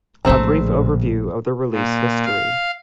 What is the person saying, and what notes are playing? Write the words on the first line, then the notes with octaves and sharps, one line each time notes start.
A brief overview of the release history.
A#1 A2 D3 A3 C4 A#5
A#2
F5